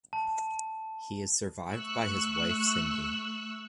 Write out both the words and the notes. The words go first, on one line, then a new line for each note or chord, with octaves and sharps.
He is survived by his wife Cindy.
A5
A3 C#6 E6 F#6